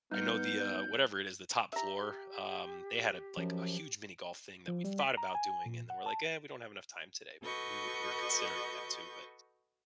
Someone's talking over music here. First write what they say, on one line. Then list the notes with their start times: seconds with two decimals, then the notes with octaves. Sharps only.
I know the uh, whatever it is, the top floor, um, they had a like, a huge mini golf thing that we thought about doing, and then we're like, "Yeah, we don't have enough time today," but we were we're considering that too, but,
0.11 G3 B3 D#4 F6 G6 C#7
1.73 G4 E5 A#5
3.37 F#2 F3
4.68 F3
4.84 G3
5.00 B6
5.17 A#5
5.35 G#5
5.66 A#2
5.90 F#5
6.06 A5
7.43 F#4 A4 B4 D#5 C#6 G6